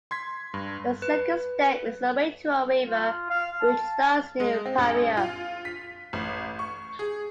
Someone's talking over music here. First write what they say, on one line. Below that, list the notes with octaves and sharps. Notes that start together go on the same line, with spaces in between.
The second stem is the Waitoa River, which starts near Piarere.
C6 G#6 B6
G2
B4
F4
F5
A5
G#3
C4
A#1
F4
B6
A1
C#6
G#4